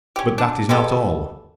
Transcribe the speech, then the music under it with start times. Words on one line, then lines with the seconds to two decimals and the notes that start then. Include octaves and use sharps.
But that is not all.
0.16 C#4 G4
0.38 D4
0.69 G#3 B3 G4 A4